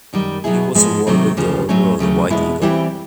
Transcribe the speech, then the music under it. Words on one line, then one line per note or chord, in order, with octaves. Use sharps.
He was awarded the Order of the White Eagle.
F#2 D#3 G3
B2 F#3 B3 E4 G#4
G#2 F3 G#3 B3
C3 D#3 F#3 A3 C4
D2 C#3 F3
A2 F#3 A3 C#4
D#2 C#3 F#3 A3
E2 B2 G#3 B3 E4
E3 G3 C4 E4 G4